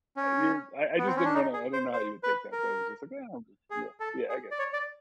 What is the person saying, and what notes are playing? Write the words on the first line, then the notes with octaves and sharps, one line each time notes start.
you're I I just didn't wanna I didn't know how you would take that, so I was just like, yeah, yeah, yeah, I get
C#4
B3
C4
C#4
D4
D#4
G#4
C5
C5
B4
A#4
G#4
A4
G#4
D5
C#5
D5